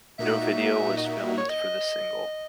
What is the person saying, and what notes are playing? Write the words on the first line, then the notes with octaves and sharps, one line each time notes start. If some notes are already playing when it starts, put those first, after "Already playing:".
No video was filmed for the single.
A#2 A#3 D#4 F#4 E5
D#5
E5
C#5
D#5